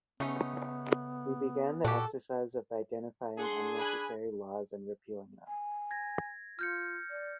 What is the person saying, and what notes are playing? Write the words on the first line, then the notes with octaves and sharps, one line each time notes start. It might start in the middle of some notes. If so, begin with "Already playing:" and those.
We began the exercise of identifying unnecessary laws and repealing them.
C#3 A3 B3 C#4 D#4
A#2 F#4 G4 A4
D4 G#4 F#5 C6
G#5 B5 F#6
G#5
G#6 A#6
F4 F6 G6 C#7
D5